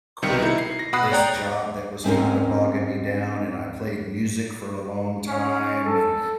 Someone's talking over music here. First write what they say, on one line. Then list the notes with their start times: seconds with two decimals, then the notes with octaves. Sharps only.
quit this job that was kinda bogging me down, and I played music for a long time, and
0.22 B1 C3 D#3 G3 C#7
0.39 D#4 E4
0.58 C7
0.79 A#6
0.93 B2 F#5 B5 D#6 F#6 C7
1.11 C#5 D5 G5 A#5
2.04 G#2 C4 C#4 A#4
5.28 C#4
5.84 A4